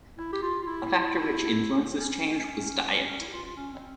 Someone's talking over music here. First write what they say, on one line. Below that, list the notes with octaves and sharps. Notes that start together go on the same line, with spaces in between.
A factor which influenced this change was diet.
E4
G4
F4
F4
E4
C4
C4
C#4
C#4
C#4
E4
G4
F4
F4
C#4
C4